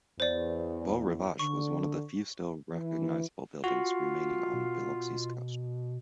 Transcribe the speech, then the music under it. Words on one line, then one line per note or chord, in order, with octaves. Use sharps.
Beau Rivage was one of the few still recognizable buildings remaining on Biloxi's coast.
E2 C5 D5
D3 C#6
E3
F4 F#4
B2